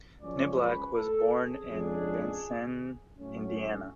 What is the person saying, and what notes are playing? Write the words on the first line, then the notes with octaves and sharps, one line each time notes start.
Niblack was born in Vincennes, Indiana.
F#2 C#3 F3 G#3 C#4 D5
B4
A4
G#4
F2 C#3 G#3 D4
A2 F#3 A3 C#4